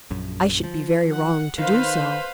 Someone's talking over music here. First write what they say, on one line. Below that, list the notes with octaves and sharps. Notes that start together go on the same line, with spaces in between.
I should be very wrong to do so.
A#1 F#2
F3
F#5
D#3 B4 C5 F5